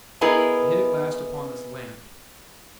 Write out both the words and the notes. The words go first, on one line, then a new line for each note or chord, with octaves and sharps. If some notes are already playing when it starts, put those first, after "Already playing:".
I hit at last upon this lamp.
B3 E4 G#4 A#4 B4 D#5